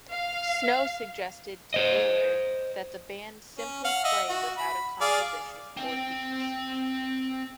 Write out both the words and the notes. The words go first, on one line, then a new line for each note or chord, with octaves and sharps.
Snow suggested to Ayler that the band simply play without a composition or themes.
F5
C5 D#5
C#4
F5 F#5
D#5 E5 F#5
F#4
B5
G#4 D5 F5
C4 G5